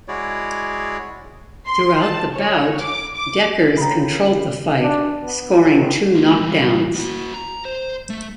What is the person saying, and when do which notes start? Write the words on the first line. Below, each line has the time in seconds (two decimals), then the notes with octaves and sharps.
Throughout the bout, Dekkers controlled the fight, scoring two knockdowns.
0.08 G#3 E4 F#4 G#4 C#5 D5
1.68 C6
2.03 A5
2.35 C#5
2.82 D6
3.17 D6
3.77 C#3 A#3 G5 A#5 B5
4.80 D4
5.23 B3
5.60 G#1
6.15 G#3 A#3
6.39 E3 G3
6.94 A#3 F#4
7.34 A#5
7.65 C5
8.10 A3